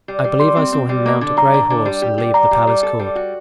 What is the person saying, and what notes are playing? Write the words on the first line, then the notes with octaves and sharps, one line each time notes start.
I believe I saw him mount a gray horse and leave the palace court.
G3
G3
G3 C6
C4
C4
G3
A#3
D3
G3 A#5
D3
D3
G3
G4
G3
G3 A#5
G3
G3
A4
G3
F#4